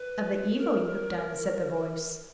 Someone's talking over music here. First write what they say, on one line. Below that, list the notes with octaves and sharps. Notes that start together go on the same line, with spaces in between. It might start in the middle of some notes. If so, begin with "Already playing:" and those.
"Of the evil you have done," said the voice.
Already playing: B4
A#4